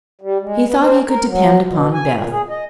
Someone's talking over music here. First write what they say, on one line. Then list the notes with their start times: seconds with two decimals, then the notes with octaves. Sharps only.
He thought he could depend upon Beth.
0.21 G3
0.42 G#3
0.66 B3
0.80 C4
1.08 A#4
1.28 F#3
1.66 B2
1.94 G#5
2.13 A#2
2.31 G#4
2.49 D#5